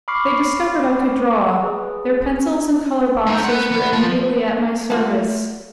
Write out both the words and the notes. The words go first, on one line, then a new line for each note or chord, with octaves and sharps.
They discovered I could draw: their pencils and colour-boxes were immediately at my service.
B5 C#6 D6 F6 C7
G#4 B4
G#3 D#4
B4 F#5
B3
F3 A5
A3 F4 F#4 A4